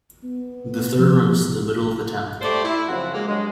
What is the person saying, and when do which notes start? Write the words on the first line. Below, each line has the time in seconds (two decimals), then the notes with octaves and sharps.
The Thur runs through the middle of the town.
0.24 B3
0.99 F3
2.42 A3 G4 C5 D5
2.64 E4
2.88 F#2 C#3 F3 C4 F#4
3.14 G#3 A#3
3.28 G2 F#3 G#3